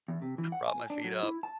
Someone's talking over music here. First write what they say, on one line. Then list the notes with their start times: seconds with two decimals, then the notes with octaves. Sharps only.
prop my feet up,
0.08 E2
0.22 C3
0.38 E3
0.52 F#5
0.67 G#5
0.90 D4
1.04 F#3
1.23 E4
1.43 A5